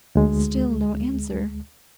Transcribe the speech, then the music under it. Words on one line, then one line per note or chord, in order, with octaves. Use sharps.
Still no answer.
D2 G#3